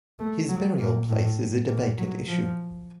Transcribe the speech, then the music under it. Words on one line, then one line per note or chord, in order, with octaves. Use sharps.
His burial place is a debated issue.
A3
F#3
A#2
A2
A#2
F#3
F3